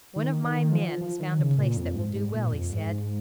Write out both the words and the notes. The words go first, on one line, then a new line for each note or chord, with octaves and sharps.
"One of my men has found a place that will do well," he said.
D#3
D#3
F3
F3
D#3
C#3
A#2
F2
G#2
G#2
A#2
F2
G#2